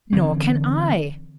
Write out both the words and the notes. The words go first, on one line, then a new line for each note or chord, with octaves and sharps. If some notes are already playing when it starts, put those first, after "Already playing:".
"Nor can I."
D3 E3 C4